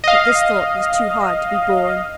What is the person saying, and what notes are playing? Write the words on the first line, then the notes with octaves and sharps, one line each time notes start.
But this thought was too hard to be borne.
D#5 F5